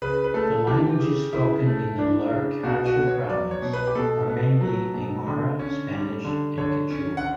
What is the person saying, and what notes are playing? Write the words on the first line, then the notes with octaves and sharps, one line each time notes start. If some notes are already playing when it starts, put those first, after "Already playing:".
The languages spoken in the Larecaja Province are mainly Aymara, Spanish and Quechua.
C#3 B4
B4
A3 A4
E3 G4
C#3
C#3 E4
A3
E3 D4
C#3
B2 F#4
F#4
B3
C#5
F#3 D5
C#5
B2
B4
G4
B2 A4
B3
F#3
B2
D3
C#4
G3
D3
D3 C#5
C#4
F#5